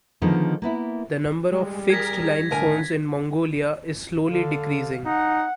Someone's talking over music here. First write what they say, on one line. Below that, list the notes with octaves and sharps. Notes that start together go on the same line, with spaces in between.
The number of fixed-line phones in Mongolia is slowly decreasing.
D3 D#3 F3 G#3 B3 D#4
A#3 B3 E4
G3 G#3
G#4 A#4 G#6 A#6 B6
A2 D3 A#4 G#5
D3 F5
D#4 F#5